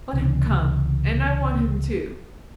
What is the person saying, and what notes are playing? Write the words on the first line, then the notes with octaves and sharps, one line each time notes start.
Let him come, and I want him, too.
C#2 C3 E3